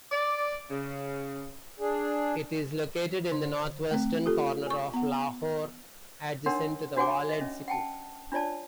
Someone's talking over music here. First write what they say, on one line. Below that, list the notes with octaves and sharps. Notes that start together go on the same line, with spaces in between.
It is located in the northwestern corner of Lahore, adjacent to the Walled City.
D5
C#3
D4 G#4
D3
A3 C4
F4 G4 A4
G#5 C#6
B3 F#5
D4 D#4 A#4 C#5 F#5 C6
D4 F#4 C#5 F#5 G#5 D6
D#5 E5
C#4
F#5 G5 A5
D4 F4 C#5 D5 A5